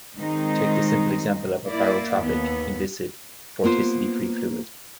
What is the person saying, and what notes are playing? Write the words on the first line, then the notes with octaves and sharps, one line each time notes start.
Take the simple example of a barotropic, inviscid vorticity-free fluid.
D#3 G#3 C4 D#4
A#3 E4 D5
D#2 B3
A#3 B3 F4 C5